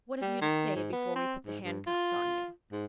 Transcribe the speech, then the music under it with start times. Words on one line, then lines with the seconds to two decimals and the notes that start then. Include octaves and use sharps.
"What have you to say before we put the handcuffs on you?"
0.22 G3
0.42 D#3
0.76 G#2
0.93 B3
1.16 C4
1.46 G#2
1.64 G2
1.87 F4
2.72 G#2